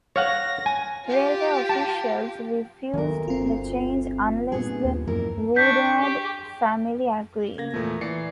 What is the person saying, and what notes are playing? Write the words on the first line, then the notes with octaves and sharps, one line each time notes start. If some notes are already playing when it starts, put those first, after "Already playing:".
Railway officials refused the change unless the Woodard family agreed.
C#5 F5 F#5 A#6
G#5
F4 G4
A5
D2 D#3 F#3 B3 A#4
G1 C4 F4
G2 A#2 B3 G#4
D#2
F#2 F3 F#3 A#3 E4 A#4
D4 C#6 G6 B6
G4
C#3 A#3 G#6 A#6
E2 A#2 F3 A3 A#4
E3 D5 C7 C#7